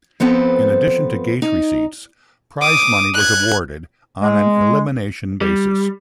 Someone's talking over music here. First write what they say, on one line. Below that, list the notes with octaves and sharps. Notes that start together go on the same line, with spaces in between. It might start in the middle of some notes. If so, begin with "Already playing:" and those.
In addition to gate receipts, prize money was awarded on an elimination basis.
F3 B3 C4 A4 B4
D#4
D6 D#6
F#6 G#6
G#3
G3